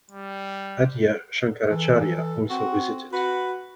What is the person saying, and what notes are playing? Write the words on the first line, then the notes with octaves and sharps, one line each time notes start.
Adya Shankaracharya also visited.
G3
E3 A4
C4 F#4
F#4 B4